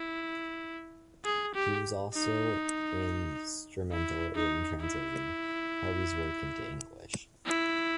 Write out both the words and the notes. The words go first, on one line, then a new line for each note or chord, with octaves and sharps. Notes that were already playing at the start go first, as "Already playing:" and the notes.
He was also instrumental in translating Havel's works into English.
Already playing: E4
G#4
G4
D#4
E4
D#4
E4
E4